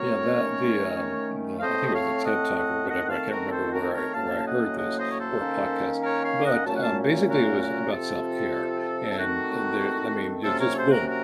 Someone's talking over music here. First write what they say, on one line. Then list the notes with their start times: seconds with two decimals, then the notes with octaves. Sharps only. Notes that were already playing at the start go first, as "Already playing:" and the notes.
Yeah. That the, um, the, uh, I think it was a TED Talk or whatever, I can't remember where I-where I heard this, or a podcast. But, um, basically, it was about self-care, and, uh there I mean, you just boom.
Already playing: A2 F#3 A3 C4 A#4 C#5
0.37 D#3 A3 C#4
1.59 F5
1.62 A2 A3 C4 C5 D#5
1.87 D#5
1.93 C#5 F5
2.25 D#5 F#5
2.56 D#5 F#5
2.88 D#3 A3 C4 D#5 F#5
3.09 F5 A5
3.30 F#4 A#4
3.51 A4 C5
3.72 F#4 A#4
3.93 A#4 C#5
4.14 A2 F#3 A#3 C#4 F5 A5
4.45 D#5 F#5
4.77 D#5 F#5
4.98 C5 D#5
5.11 C#5
5.19 A4 C5
5.40 D#3 A#3 C#4
6.03 A#4 C#5
6.24 C#5 F5
6.45 D#5 F#5
6.66 A#2 F#3 A3 C#4 A5
6.75 F#5
6.82 F5 A5
7.29 F#4 A#4
7.61 F#4 A#4
7.92 C3 F3 C4 F4 A4
9.10 A4
9.18 D#3 A3 C4 D#4 F#4
10.44 C3 F#3 A#3 C#4 F4 A4
10.59 A#4 C#5
10.76 A4 C5
10.91 F#4 A#4
11.07 F#4 A#4